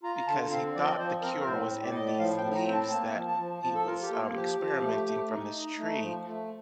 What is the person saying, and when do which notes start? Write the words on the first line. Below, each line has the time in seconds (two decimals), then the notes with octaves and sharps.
because he thought the cure was in these leaves that he was, um, experimenting from this tree
0.03 F4 A#5
0.16 A#5
0.27 D3 A5
0.51 C4 F5
0.75 F3 D5
0.83 D#5
0.90 D5
0.99 F3 C5
1.23 C4 A#4
1.40 A#4
1.47 A2 C5
1.71 A2
1.82 D5
1.94 A2 D#5
2.06 D5
2.19 F3 F5
2.37 G5
2.42 A2
2.55 A#5
2.67 C4 G5
2.73 A5
2.90 A#3 A5
3.15 F3
3.27 A5
3.39 F3
3.62 F3 A5
3.75 A4
3.86 F4 A#4
4.02 G4
4.10 A#3 A4
4.34 F3 G4
4.59 F3
4.83 A3
5.06 A3
5.30 D#4
5.55 D#4
5.78 A3
6.03 F3
6.27 A3